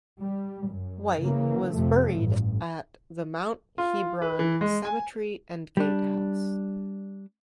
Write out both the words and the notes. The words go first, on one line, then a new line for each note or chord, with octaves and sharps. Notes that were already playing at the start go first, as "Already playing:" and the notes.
Wight was buried at the Mount Hebron Cemetery and Gatehouse.
G3
F#2
C#3 E3 A#3
F2 C3 F3 A3
A1 G2
F4
B4
E3
G#3
G#5
G3 D4